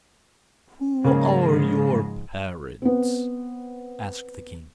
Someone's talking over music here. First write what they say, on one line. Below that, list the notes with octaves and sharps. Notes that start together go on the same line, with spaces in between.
"Who are your parents?" asked the king.
G#2 C#3 F3 G#3 A#3 C#4
B3 C4